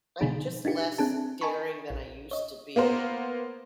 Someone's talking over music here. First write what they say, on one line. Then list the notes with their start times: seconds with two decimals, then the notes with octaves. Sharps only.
I'm just less daring than I used to be.
0.21 B2 D3 F3 D#4 G#4
0.65 D4 D#4 F4 G4
0.98 C4 D4 G#4 A5
1.41 D#5 G#5 A5 B5 C#6
1.90 A#1
2.31 C#5 D#5
2.76 A#3 B3 A#4 C5